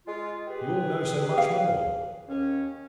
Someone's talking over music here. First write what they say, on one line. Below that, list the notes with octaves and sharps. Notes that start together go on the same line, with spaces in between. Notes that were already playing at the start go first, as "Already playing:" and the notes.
You all know so much more.
G#3 F4
G4 G#4 B4
F5
D#2 C#4